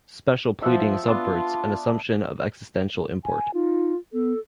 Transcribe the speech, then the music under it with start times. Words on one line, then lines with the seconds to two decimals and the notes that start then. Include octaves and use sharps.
Special pleading subverts an assumption of existential import.
0.62 F3 E5 F#5
1.06 B3 D4 F4 A5
3.24 G#5
3.54 D#4 F4
4.13 B3 A4